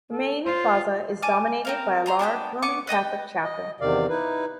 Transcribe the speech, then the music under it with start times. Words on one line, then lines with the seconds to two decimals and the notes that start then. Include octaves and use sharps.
The main plaza is dominated by a large Roman Catholic Chapel.
0.11 A4
0.46 F4 C5
1.22 G#5 A5 D6 F6
1.65 C4 A#4 F5
2.06 C5 A#5 C6
2.19 B3 D4 G5 B5
2.62 B3 C#6 D6
2.87 B4 D#5 F#5 G5
3.44 D#5
3.80 E2 C3 D#3 D5 F5
4.09 D#4 E4 B4